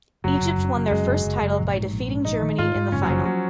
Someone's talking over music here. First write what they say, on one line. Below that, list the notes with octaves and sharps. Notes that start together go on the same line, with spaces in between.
Egypt won their first title by defeating Germany in the final.
F#1 F#3
F#1
F#2
F#1
F#2 G#3
F#1
F#1
F#1
A#1
G#2
A#1
G#2
A#1 D#4
D#3
G#2 F4
G#2
F#1 C#4
F#3
F#1 F3
F#3